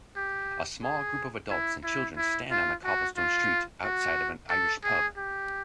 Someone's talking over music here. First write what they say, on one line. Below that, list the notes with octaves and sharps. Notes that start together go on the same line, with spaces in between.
A small group of adults and children stand on a cobblestone street outside of an Irish pub.
G4
G#4
E4
E4
E4
F4
F#4
F4
F#4
A4
G#4
G4